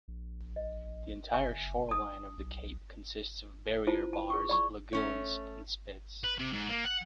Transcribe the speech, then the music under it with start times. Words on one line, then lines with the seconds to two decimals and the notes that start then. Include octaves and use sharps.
The entire shoreline of the cape consists of barrier bars, lagoons and spits.
0.08 A#1
0.56 D#5
1.33 F#1 E5 G#5 C#6
1.89 A5 D#6
2.37 B1
3.87 E4 F4 C5 A5
4.13 A5
4.30 G#4 C#6
4.49 D5 B5 C#6
4.93 A3 C#4 C#5
6.24 B4
6.38 C3
6.53 G#2
6.69 A#3
6.84 F#5